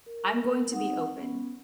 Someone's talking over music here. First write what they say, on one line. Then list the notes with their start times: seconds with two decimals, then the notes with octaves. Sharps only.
I'm going to be open.
0.06 A#4
0.72 C4 D#4 F#5 D#6
1.17 B3 C#4